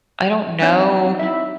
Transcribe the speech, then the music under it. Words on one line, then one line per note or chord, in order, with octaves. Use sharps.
I don't know
C4 D4 D#4 C#5 F#5
E4 E5